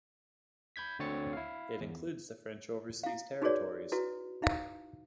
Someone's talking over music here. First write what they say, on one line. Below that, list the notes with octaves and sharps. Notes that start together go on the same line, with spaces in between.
It includes the French overseas territories.
B5 G6 G#6 B6
D2 D3 C4 C#5 A6 C#7
E4 F5
E2
E4 F5
D#4 F#4 G#4 B4 C#5 D5
E4 F#4 B4
D#4 E4 F5